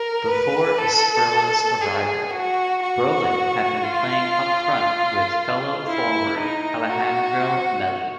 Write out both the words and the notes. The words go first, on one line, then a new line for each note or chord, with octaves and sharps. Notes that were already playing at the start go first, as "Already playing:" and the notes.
Before Asprilla's arrival, Brolin had been playing up-front with fellow forward Alessandro Melli.
Already playing: A#4
B4
A4
G#4
F#4
F#4
F4
E4
D#4
F#4